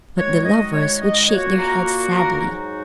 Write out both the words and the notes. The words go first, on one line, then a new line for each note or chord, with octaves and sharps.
But the lovers would shake their heads sadly.
D#3 G#3 F#4 C#5
D#5
C#5
D#5
A#2 A#3 F#4 C#5
A#4
A#4
G#2 F#3 D#4 F#4